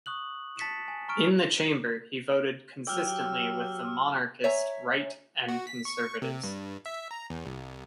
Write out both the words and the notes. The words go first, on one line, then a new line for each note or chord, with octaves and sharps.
In the Chamber, he voted consistently with the monarchist Right and conservatives.
C#6 D#6 F#6 F#7
A5 A6 B6 C#7 D#7 E7
G#5
A#5 C#6 F6 D7
F#3 G4 E6 F6
C#5 E5 G#5 A#5
F#4
B6
C#6
C3
G2
E5
A#5
E2
C2